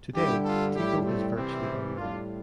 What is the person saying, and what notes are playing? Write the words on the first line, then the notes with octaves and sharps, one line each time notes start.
Today Teeko is virtually unknown.
G2 D3 G3 E4 G4
F4 A4
A2 G3 E4 G4
A3 C4
C2 C3 E3 G3 C4 E4
A2 G3 D4 F4